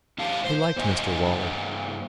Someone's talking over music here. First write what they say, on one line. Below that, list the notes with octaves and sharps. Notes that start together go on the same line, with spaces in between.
He liked Mr Waller.
E2 A2 G4 F5 A5
C5
G2 A#3 C5 D#5 G#5